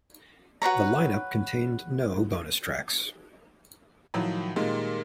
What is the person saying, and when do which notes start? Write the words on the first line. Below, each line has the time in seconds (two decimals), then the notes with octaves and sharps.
The lineup contained no bonus tracks.
0.62 F#4 B4 C#5 A#5
4.14 A2 D#3 F3 F#3
4.56 A#2 D#3 G3 G#3 A#3